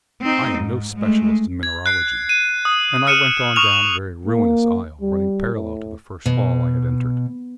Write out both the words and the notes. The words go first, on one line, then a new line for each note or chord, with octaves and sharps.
I am no specialist in mineralogy, and I went on down a very ruinous aisle running parallel to the first hall I had entered.
C4 D#4
G#2
G#3 A3
G#6
F#6 C7
D#7
D#6
D#6 F6 C#7 D#7 E7
C#6 D#6 F6 F7
A#3
G3
A2
B2